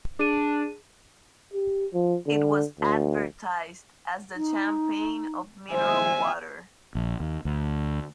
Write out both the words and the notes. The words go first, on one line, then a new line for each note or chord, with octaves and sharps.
It was advertised as the Champagne of mineral water.
D4 G#4 D#7
G4
F3
D3
D2
D#4
C5 E5 G#5
A#1
D#2
D2